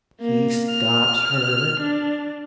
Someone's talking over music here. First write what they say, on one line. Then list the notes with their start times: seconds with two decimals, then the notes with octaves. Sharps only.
He stops her.
0.21 A#3
0.70 F6
1.80 D4